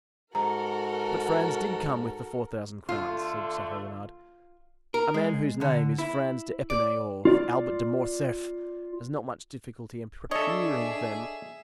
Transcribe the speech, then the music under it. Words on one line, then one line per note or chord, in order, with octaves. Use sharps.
"But Franz did come with the four thousand crowns," said Chateau-Renaud. "A man whose name is Franz d'Epinay or Albert de Morcerf has not much difficulty in procuring them."
G#2 F#4 A4 A#4 A#5
D3 A3 F4
A#4
G#3
D3
E4
D5
F4 D5
D4 G#4 A4 C#5 D#5 E5